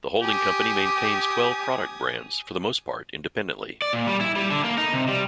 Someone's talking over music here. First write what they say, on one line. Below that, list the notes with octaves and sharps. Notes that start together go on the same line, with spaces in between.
The holding company maintains twelve product brands, for the most part independently.
G4 G#5 D#6
D5
A#2
G3
E4
G3
D3
A#3
D#4
C3
G3